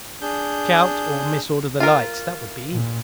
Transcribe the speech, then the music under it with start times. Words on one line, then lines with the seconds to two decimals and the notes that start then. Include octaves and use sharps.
Shout, or mis-order the lights. That would be easy.
0.22 D4 G#4 G6
1.80 F4 A#4
2.72 A#2